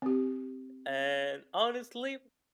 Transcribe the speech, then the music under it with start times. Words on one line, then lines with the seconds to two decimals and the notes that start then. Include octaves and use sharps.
And honestly,
0.02 C4 G4